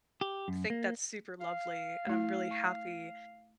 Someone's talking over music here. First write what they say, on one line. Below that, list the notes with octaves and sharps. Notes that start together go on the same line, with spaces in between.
think that's super lovely, and I'm really happy,
G4
F#2
A#3
F5
A3 E4
C#6